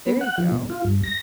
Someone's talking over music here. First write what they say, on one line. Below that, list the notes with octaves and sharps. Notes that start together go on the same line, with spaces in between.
There you go.
B3
F#5
F3
B2
F4
G2
A#6